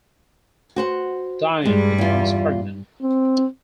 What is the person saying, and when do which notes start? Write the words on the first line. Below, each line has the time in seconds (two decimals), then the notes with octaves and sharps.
Diane becomes pregnant.
0.76 F#4 C5 F#5
1.65 G2 G3 G#3
1.98 E2 F4
3.02 C4